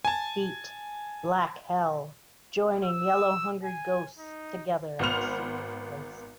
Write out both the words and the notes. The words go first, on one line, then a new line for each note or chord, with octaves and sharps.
Feet: black-hell, joining yellow-hungry-ghosts together at the secret place.
G#5 A5
E6
G#5
D#4
G#1 B3 B4 C5 F6 F7